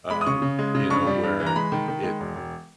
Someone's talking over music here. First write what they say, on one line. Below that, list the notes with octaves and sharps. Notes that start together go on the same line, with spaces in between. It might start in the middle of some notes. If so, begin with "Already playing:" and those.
um, you know, where it
G#3 B5
D#6
C#3 C#6
C#3
G#3
C#3
G2 C#6
G3
G2
E3
A#5
G#3 B5
D#3
D#3
G#3
E1
E1